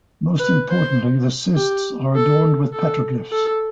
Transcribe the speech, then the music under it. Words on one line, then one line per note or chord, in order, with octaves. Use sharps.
Most importantly, the cists are adorned with petroglyphs.
B4
C5
G4
A4
A4
A4